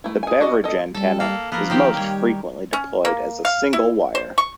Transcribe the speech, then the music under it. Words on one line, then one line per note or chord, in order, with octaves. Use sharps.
The Beverage antenna is most frequently deployed as a single wire.
A3 E4
G#4 G#5
D4 F#4 D5 D#5
A4 D#5
G3 A4
A#3 A4
F3 A#3 B3 A#4
D#3 C4 G4
G3 C#5
C#4
A#3
F5
E4
C5
C#6